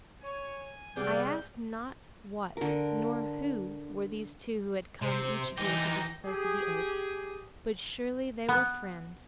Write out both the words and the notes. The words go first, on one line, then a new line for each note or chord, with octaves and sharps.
I ask not what nor who were these two who had come each year to this place of the oaks, but surely they were friends.
C#5 G#5
C3 G3 B3 G#4 D5 G6
D3 A#4
C3 C5
E3 D#4 G4 G5 A#6
G4 G#4
B3